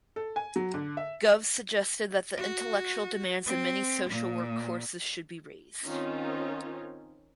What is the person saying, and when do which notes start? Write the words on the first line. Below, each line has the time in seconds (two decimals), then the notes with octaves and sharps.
Gove suggested that the intellectual demands of many social work courses should be raised.
0.16 A4
0.36 G#5
0.56 F#3
0.74 D3
0.97 E5
2.37 F#4
3.46 C4
4.10 A#2
5.86 D#3 C4 C#4 D#4 F4